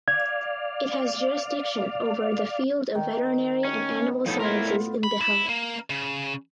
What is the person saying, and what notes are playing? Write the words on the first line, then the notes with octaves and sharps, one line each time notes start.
It has jurisdiction over the field of veterinary and animal sciences in Bihar.
D5 F5 G#6
D#3
C#4
A2 F3 B3 D#4 A4
E4 F4 A#4
B5
E4
A#3
C#3